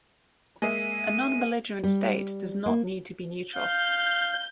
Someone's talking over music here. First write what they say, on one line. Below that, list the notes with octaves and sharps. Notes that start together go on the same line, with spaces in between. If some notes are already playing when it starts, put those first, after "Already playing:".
A non-belligerent state does not need to be neutral.
G#3 A#3 E5 D#7
G3
A#3
F5 G6